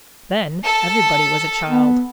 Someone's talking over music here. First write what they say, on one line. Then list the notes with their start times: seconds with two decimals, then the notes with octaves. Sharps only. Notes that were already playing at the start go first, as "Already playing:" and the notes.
Then, everybody was a child.
0.64 A4 A5
1.69 B3